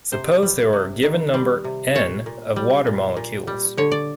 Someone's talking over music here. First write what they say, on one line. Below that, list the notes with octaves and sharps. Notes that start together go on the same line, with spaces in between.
Suppose there are a given number "N" of water molecules.
C3 C5
G3
C3
D#3
G3
C3
A#2 C#5
A#2
G3
A#2
A#2
G3
D3 C#5
D5